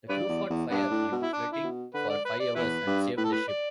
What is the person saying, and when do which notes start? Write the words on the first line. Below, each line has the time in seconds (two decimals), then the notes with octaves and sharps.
The crew fought fire and flooding for five hours and saved the ship.
0.09 G2 B4 D5
0.29 E2
0.50 E2
0.70 G2 B3 D4
0.91 A2
1.12 B2
1.22 E4
1.33 D4
1.53 E4
1.64 B2
1.94 D3 B4
2.10 D5
2.25 B4
2.40 D5
2.55 E2 E4 B4
2.87 G2
3.17 A2 B4
3.24 A4
3.32 B4
3.48 D5